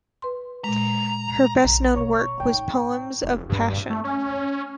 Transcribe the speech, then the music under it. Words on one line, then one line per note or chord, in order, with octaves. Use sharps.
Her best-known work was "Poems of Passion".
B4 C6
A#2 G#3 A#5
A#1 A#5
B2 C#5
A2 D#4 G5
F1
G2
A3
C#4